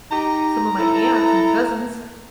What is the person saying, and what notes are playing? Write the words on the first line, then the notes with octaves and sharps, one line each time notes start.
some of my aunts and cousins.
D#4 G4 A#5
E4 A4